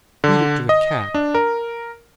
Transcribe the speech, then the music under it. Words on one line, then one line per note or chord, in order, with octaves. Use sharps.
"Feed it to the cat."
D3
D#5
D4
A#4